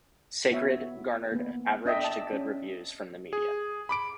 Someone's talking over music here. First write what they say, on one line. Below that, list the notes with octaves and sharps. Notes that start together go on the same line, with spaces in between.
"Sacred" garnered average to good reviews from the media.
B3 F#4 C#5 E5
A#3 B3
D4 D#5 E5 G5
A5
C#4
G#4
B5 D6 D7